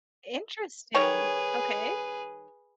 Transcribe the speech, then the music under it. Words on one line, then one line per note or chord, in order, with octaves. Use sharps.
Interesting, okay.
D#3 G3 G#4 B4 C#5